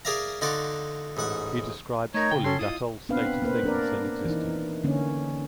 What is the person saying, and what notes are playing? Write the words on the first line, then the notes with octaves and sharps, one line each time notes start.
He describes fully that old state of things then existing.
G#4 A#4 D5 E5 F5 A#5
D3 D#4 F#4 C5 D5 F5
A1 G#2 F#5 C#6
A3 D#4 A#4 C#5
C#3 G5
C#4 A4 C6
E4 F4 D#5 D#6
B3 C4 D4 B4 F5
A#3 B3 B4 C5
D4 A#4 D5
E3 D#4
D3 A#3 C#4